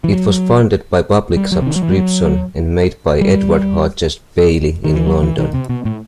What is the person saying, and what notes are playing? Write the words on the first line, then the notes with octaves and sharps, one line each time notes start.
It was funded by public subscription and made by Edward Hodges Baily in London.
E3
F#3
G3
F#3
C3
D#3
F#3
E3
G3
F#3
G3
D#3
E3
F#3
E3
D#3
C3
B2
A2